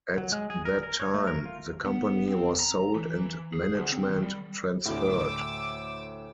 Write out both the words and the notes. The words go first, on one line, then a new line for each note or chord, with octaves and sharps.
At that time, the company was sold and management transferred.
F#3
G#3
G#4
A#4
A#4
C#5
A3
A#4
F4
B3
C4
A#5
E3
G#4
D2
C4
D#3
G3
D2 A2 D6 E6